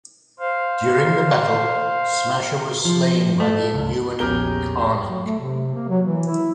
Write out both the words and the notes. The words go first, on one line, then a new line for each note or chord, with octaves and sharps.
During the battle, Smasher was slain by the Inhuman Karnak.
C5 F5
F3
A3
C#2
A#1 E2 B3 C#4 G4 G#4 A#4 G7
F#3
A3
C3
A#3
F#3
E3
E4